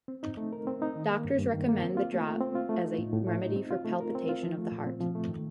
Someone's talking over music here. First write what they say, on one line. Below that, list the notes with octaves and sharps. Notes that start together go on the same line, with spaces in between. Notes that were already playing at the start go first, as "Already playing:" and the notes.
Doctors recommend the draught as a remedy for palpitation of the heart.
C4
D#4
A3
A#4
C4
D#4
D#3
A#3
G2
G2
D#3
A#3
C4
F4
A3
A3
C4
F4
A3
D#4
A2
A2
A3
D#4
C4
F4
A3
A#4
C4
F4
F3
A3
A#2
C4
F3
A3
D#3